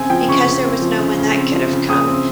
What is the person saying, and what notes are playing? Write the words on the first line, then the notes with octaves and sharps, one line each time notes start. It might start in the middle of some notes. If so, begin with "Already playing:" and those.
because there was no one that could have come
Already playing: C#3 C4 G#5
F3 G5
C#3 C#6
C#3
C4
F3
C#3
C#3
C4
F3
C#3
C#3 D#6
C4